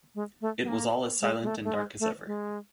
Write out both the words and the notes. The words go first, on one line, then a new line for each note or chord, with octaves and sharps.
It was all as silent and dark as ever.
G#3
A3
B3
A#3
G#3
G#3
A3
A3
G#3
A3
G#3